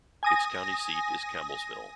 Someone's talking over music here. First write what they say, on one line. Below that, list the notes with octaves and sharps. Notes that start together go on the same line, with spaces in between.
Its county seat is Campbellsville.
G#5 D#6 A#6